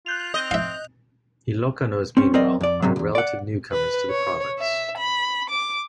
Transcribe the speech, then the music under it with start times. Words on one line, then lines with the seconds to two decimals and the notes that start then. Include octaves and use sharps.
Ilocanos meanwhile, are relative newcomers to the province.
0.06 F4 F#6 G6 F7
0.34 C4 D#5
0.51 E5 F5
2.17 C4 C#4
2.34 F#3 C4 A#4 D5 D#5
2.61 F2 D5
2.82 G#2 C3 F#3
2.96 B1 E2
3.15 D5 F#5
3.72 B4
4.10 C#5
4.59 E5
4.97 B5
5.50 D6